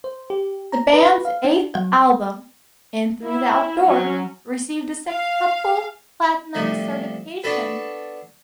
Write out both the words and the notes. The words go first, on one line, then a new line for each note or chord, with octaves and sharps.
The band's eighth album, "In Through the Out Door", received a sextuple platinum certification.
C5
G4
A#5
B4
F5
D4
F#3
E4
F#3 C#4
F5
C2 C3 F3 A3
B3 D4 F#4 A4 B4